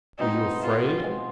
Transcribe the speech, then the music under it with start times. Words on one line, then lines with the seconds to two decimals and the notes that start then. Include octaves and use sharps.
"Were you afraid?"
0.19 B2 G#3 C4 D#4
0.62 F4
1.03 B2 G#3 C4